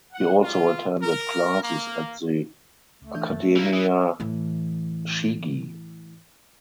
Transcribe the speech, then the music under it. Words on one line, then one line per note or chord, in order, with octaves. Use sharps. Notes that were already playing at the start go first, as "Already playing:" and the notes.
He also attended classes at the Accademia Chigi.
F#5
F4
A#4
A#3
C#2 A3
E3 D4 G6
F#2 A6
F#4
E3 A#3 G4
E3 D#6
A2 E3